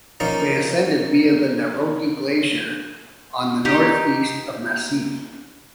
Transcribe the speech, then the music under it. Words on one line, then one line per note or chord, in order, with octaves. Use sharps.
They ascended via the Niroghi glacier on the northeast of the massif.
F3 A#3 C#4 D#4
D#4 G4